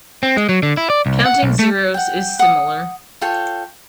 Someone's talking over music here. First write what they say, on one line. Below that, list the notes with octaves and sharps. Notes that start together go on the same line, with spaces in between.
Counting zeros is similar.
C4
G#3
F#3
D3
E4
D5
C2
F#5
B1
A3
F#5 G5
F#5 D#6
F4 A4 C#5 G5